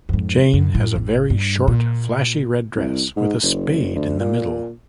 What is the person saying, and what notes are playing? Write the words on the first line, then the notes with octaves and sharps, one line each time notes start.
Jayne has a very short flashy red dress with a spade in the middle.
F2 G#2
F#2
A2
A1
G2
A#2
C2
G#2
F#1
D2
A#2